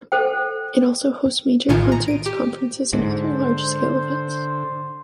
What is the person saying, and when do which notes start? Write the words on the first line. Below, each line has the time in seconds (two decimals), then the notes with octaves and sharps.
It also hosts major concerts, conferences, and other large scale events.
0.12 A4 C5 G5
1.69 A#1 A2 D#3 F4 G#5 C#7
1.92 A#5
2.08 D7 D#7
2.26 G4
2.93 G#2 D3 C5